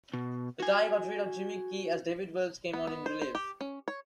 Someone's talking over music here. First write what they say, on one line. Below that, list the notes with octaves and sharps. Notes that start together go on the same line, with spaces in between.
The tie got rid of Jimmy Key as David Wells came on in relief.
B2
F#4 G#5
B3
B3
C5
C5
G4
C#4
C#5